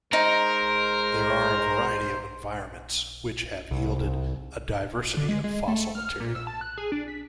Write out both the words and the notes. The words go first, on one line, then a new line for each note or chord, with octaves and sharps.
There are a variety of environments, which have yielded a diversity of fossil material.
G#3 D#4 A#4 C5
C2
D3
G#3
G#3
A3
F6
A#2
E6
A5
F#6
G#4
D4
B6